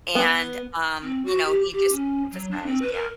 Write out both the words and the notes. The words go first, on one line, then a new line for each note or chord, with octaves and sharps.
And, um, you know, he just emphasized" yeah.
B3
C4
F#4
G4
G4
C#4
F#3
D4
C4
B4
A#4